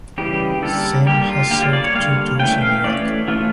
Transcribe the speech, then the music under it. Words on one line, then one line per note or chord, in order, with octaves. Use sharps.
Syme has served two tours in Iraq.
C#3 E3 G3 G4
D3 G3 A#3 A4
D3 G3 A#3 G4
F4
D3 G3 A#3 G4
F4
D5
C#5
D3 G3 A#3 F5
E3 A3 C#4 G5
F5
E3 A3 C#4 D5
C#5
E3 A3 C#4 F4